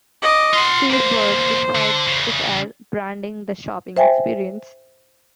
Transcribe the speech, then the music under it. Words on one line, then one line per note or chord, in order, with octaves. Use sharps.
Steve Burd described it as "branding the shopping experience".
D#5 D6
F4 F#5 C6
E2 A#3 C5
D3
E2 C#3
C5 E5 G5 G#5